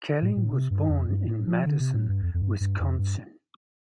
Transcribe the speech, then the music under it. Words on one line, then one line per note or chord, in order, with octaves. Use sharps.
Kelly was born in Madison, Wisconsin.
A2
A2
C3
G2
F2
G2
A2
F3
D3
C3
A2
G2
F2
F2
G2
G2
F2
G2